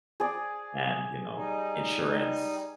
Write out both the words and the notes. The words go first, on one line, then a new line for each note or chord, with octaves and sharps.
and, you know, insurance
G#4 D5
G3 D#4